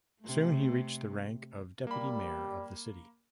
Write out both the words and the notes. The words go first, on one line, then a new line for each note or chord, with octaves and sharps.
Soon he reached the rank of deputy mayor of the city.
C3 A3
G3 A#3 B5